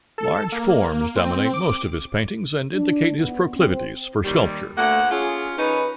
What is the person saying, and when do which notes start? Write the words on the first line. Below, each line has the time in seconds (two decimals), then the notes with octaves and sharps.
Large forms dominate most of his paintings and indicate his proclivities for sculpture.
0.18 A4
0.52 A#3
1.16 C4
1.54 D6
2.73 D4
3.17 B3
3.56 C4
4.24 D#2 G3
4.77 D2 A3 A#3 F#5
5.11 C#4 F4 G#4
5.58 D#3 C#4 D#4 B4